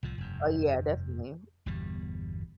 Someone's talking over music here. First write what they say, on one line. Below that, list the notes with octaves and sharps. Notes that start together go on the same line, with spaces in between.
Oh, yeah, definitely.
C2 A2 F3
F1 G2
G1 E2 B2 G3